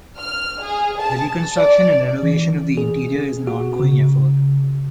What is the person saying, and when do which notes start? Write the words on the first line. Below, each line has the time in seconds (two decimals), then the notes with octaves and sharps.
The reconstruction and renovation of the interior is an ongoing effort.
0.19 F6
0.61 G#4
1.00 A5
1.56 D5
2.23 E3
2.77 G#4
3.47 F#4
3.80 C#3